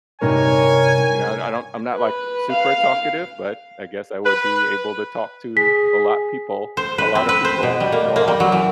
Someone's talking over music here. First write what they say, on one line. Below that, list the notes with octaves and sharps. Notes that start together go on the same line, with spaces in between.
you know, I don I don't I'm not, like, super talkative, but I guess I would be able to talk to a lot people a lot of people more often.
G2 C3 D#4 A#4 C#5 G#5
B4
F5
B4
G#4 B6
C5
B4
C4
B4
C5
B2
G3
A#3
A#3
G3
F#3
E3